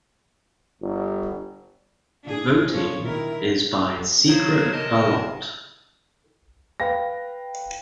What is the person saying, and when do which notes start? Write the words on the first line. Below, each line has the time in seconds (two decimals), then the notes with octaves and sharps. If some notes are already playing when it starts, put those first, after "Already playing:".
Voting is by secret ballot.
0.81 G1
2.23 D4 G#4
2.71 F3 C#5
3.04 D#3 E4 A#4
4.27 C#3 F#3 C5 G#6
4.72 C3 A#4 D#5 A5
6.80 B4 F5 G5 A#6